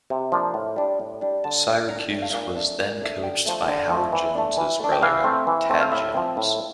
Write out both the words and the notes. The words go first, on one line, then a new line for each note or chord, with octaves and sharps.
Syracuse was then coached by Howard Jones's brother, Tad Jones.
C3
F3 A#3 D4
A2
G3 D4
A2
G3 D4
D3 A5
A3 D4
D3 A#5
A5
A3 D4 G5
F5
A#2 F5
A3 D4
A#2
A3 D4
D3 G5
F3 A3
D3
F3 A3
E3
A3 D4
E3
A3 D4
G5
E3 F5
A3 C4
E3
A3 C4
F5
A2 E5
F3 C4
A2